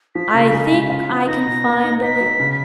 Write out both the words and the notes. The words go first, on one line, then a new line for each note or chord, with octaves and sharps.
"I think I can find a way."
F3 B6
C#3
G#3
C#3
F4
F3
D#4 A#6
B2
A#3
D#4
D#4 B6
F#3
C#3